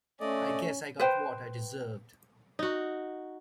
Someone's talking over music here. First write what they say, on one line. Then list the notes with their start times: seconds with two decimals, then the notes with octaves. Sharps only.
I guess I got what I deserved.
0.21 A3 C#4 D5 D#5
0.99 B4 C5 G5
2.59 D#4 F#4